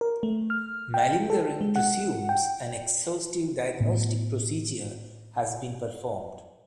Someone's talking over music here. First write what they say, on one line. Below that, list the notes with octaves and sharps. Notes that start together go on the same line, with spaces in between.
Malingering presumes an exhaustive diagnostic procedure has been performed.
A#4
A3
F6
G5
A4
G#3
F#5
G5
A2 B3